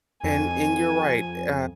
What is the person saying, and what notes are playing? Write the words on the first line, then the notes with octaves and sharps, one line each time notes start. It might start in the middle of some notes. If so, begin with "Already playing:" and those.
and and you're right, eh, uh,
F2 G#5